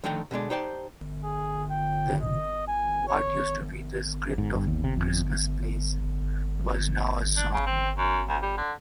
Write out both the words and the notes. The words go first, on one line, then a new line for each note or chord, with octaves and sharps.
Then, what used to be the script of a Christmas play, was now a song.
D3 D#3 F3 A3 G5 A#5
B2 D3 G#3 D4
D#4 G4 C5 D5 G5 A5
G#4
G5
D#5
G#5
C#5
G#2
G2
D#2
C3
F2
D4
C#3
C4
F#2
D2
G3
D3